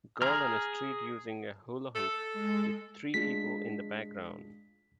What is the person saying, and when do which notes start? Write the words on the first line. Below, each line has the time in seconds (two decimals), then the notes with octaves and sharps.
Girl on a street using a hula hoop, with three people in the background.
0.22 G#4 A#5 F6
1.95 A4
2.33 G#3
3.14 G#3 D4 F4 B6